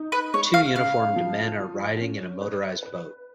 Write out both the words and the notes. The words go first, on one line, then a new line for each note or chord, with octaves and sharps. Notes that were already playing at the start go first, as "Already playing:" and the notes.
Two uniformed men are riding in a motorized boat.
Already playing: D#4
B4
G#3 C#5
F5
C#3 F5
F3
F4
C#4
B4
B4